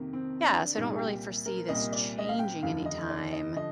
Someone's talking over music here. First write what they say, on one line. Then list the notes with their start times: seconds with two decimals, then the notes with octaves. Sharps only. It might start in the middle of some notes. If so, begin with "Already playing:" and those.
yeah, so I don't really foresee this changing anytime,
Already playing: F2 C3 D#3 A#3
0.13 C4
0.44 D4
0.75 C2 A#2 G3 A#3 D#4
0.90 G#4
0.99 G4
1.46 A#4
1.69 C2 A#2 G3 A#3 D#5
1.92 D5
2.19 D#5
2.29 F5
2.39 G5
2.62 F1 D#2 D3 F3 F5
2.85 D#5
3.10 D5
3.33 D#5
3.56 D3 F3 D#5